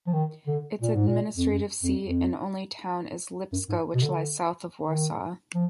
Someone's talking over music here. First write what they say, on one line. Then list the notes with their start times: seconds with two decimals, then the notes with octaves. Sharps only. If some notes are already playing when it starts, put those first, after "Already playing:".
Its administrative seat and only town is Lipsko, which lies south of Warsaw.
0.07 F3
0.13 D#3
0.47 D3
0.81 A#2
0.95 G#2
1.07 A#2
1.36 F2
1.49 F#2
1.83 F2
2.05 F2
3.52 F#2
3.69 G#2
3.95 B2
4.03 D3
4.87 D#3
5.54 F3